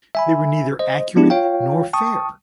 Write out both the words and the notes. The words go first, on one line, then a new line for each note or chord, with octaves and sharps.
They were neither accurate, nor fair.
E5 G#5 B5
C5 D#5
F3 B3 D4 E4 G4
F4 C#5 F5 G5
G5 A5 C#6 D#6